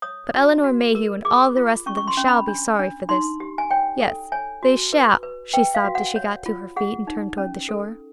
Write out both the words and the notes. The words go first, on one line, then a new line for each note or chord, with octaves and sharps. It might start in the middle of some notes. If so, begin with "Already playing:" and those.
"But Elinor Mayhew and all the rest of them shall be sorry for this. Yes, they shall," she sobbed as she got to her feet and turned toward the shore.
C#5 D#6
F#4
F#4
A#4
G#4 D6
F4
C#4 C#6
C#6
C6
C#4
B5
D4
D4
D#4 C6
G4
G#5
C#5 G5
A4
C#5 G#5
F#4
B4
B4
B4 G5
F5
F#4
F#5
C#5
F4
G#4 F#5
D#4
C#4
A4